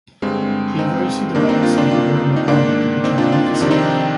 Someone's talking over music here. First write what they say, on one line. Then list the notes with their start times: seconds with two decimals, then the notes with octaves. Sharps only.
He rose through the ranks of the Roman army to become an officer.
0.22 G2 D3 G#3 C4
0.79 C4 D#4
1.35 G2 D#3 A#3 D4
1.49 C4 D#4
1.63 D4 F4
1.78 D4 F4
1.91 D4 F4
2.36 D#4
2.48 G#2 D#3 A#3 D4
3.04 C4 D#4
3.18 D4 F4
3.32 D4 F4
3.46 F4
3.54 D#4
3.61 F2 C3 D#3 D4
3.71 C4 D#4